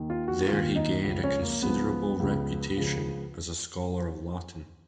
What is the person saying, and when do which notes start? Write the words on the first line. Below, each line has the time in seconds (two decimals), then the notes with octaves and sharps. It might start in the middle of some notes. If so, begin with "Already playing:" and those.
There he gained a considerable reputation as a scholar of Latin.
Already playing: D#2 D#3
0.10 F4
0.28 F#4
0.47 D#2 D#3 F4
0.76 D#4
1.04 C#2 C#3 F3
1.24 C#4
1.42 A#3
1.62 C#2 C#3 F3 B3
2.19 C#2 C#3 F3
2.76 C#2 C#3 F3